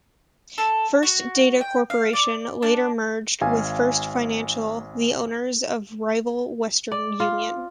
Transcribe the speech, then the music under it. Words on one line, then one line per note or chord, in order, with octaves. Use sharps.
First Data Corporation later merged with First Financial, the owners of rival Western Union.
A4
F#4
G5
F5
D5
D4
G#1 F5 G#5
D5
F4